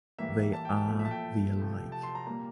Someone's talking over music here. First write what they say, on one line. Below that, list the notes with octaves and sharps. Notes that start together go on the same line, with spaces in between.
They are the alike.
A2 E3 G3 A#3 E5
A5
G5
A5
A#2 F3 A3
E5
A5
G5
C3 F3 A3
A5
C6
A#5
A#2 G3 A#3 A#5